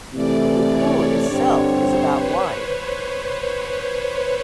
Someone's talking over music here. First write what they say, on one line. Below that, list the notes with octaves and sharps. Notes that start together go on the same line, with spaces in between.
The pool itself is about wide.
C3 E3 A3 D5
C#5
G2 D3 G3 C4
C5
B4